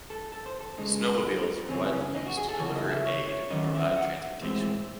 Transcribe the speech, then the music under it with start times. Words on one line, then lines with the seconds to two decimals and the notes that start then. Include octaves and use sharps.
Snowmobiles were widely used to deliver aid and provide transportation.
0.10 A4
0.32 A4
0.46 C5
0.61 A4
0.78 C#2 C#3 G#3 D#4
1.69 F#2 C#3 E3 C4 C#4
1.92 C#4
2.15 D#4
2.26 F#4
2.37 G#4
2.49 A4
2.59 E2 C#3 E3 C#5
2.75 D#5
2.90 E5
3.06 C#5
3.29 C#5
3.51 E2 D#3 F#3 C#4 D#5
3.74 E5
3.96 F#5
4.41 A2 E3 G#3 C4